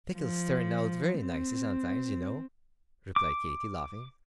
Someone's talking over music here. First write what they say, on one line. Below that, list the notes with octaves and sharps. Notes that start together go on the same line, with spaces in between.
"Pickles turn out very nice sometimes, you know," replied Katy, laughing.
F3
C4
D6